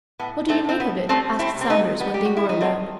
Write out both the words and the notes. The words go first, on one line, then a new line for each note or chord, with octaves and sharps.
"What do you make of it?" asked Saunders when they were alone.
A2 B3
A3 C4
A2 C4
B3
G3 A3 C4
C4 E4
C3
C4
B3 D#4
G3 B3
G4
F#4
E4
D#3 D#4
A3 C4